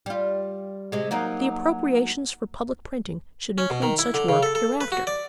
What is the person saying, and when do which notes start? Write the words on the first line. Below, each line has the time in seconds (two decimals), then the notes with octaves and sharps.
The appropriations for public printing should include such work hereafter.
0.06 G3 F4
0.92 C3 G#3
1.11 F#3 A#3 D#4
3.58 C#4
3.70 B2
3.82 D#3
3.99 E4
4.14 D3
4.29 C#3
4.43 A4
4.55 A4
4.81 B4
4.92 F#4
5.07 D5